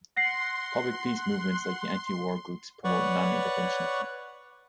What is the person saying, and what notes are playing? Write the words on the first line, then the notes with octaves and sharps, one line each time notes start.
Public peace movements like the anti-war groups promote non-interventionism.
F#5 C6 A#6 C7
B4 C#5 D5 F#5 C#6